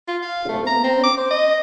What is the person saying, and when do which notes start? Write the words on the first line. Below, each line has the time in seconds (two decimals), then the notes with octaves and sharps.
Poor little woman!
0.08 F4
0.22 F5
0.49 A3
0.67 A#5
0.84 C4
1.04 D6
1.17 C5
1.31 D#5